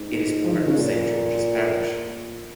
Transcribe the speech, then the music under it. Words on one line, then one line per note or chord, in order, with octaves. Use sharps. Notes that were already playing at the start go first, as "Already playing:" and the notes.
It is part of Saint George's Parish.
Already playing: G#2
F3
D#3
C#3
A#2